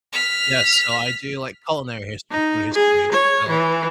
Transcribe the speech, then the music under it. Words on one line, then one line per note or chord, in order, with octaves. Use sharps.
Yeah, so I do, like, culinary history, food history. So, it
F6 B6
D#4
G#4
C#5
E3